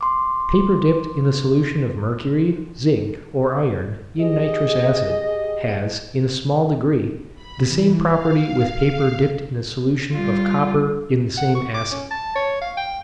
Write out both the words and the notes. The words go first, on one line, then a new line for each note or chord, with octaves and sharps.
Paper dipped in a solution of mercury, zinc, or iron, in nitrous acid, has, in a small degree, the same property with paper dipped in a solution of copper in the same acid.
C6 D6
G4 G#4 D#5
B5
E3
F5
G3 F4
F#5
C#6
D6
C#4
A5
C#5
F5
G5